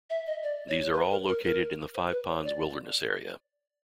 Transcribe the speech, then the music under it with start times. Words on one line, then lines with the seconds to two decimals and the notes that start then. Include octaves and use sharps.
These are all located in the Five Ponds Wilderness Area.
0.10 E5
0.27 D#5
0.43 D5
0.69 C#5
0.94 B4
1.11 A#4
1.28 A#4
1.44 A#4
1.95 C5
2.12 B4
2.28 C#5
2.45 D5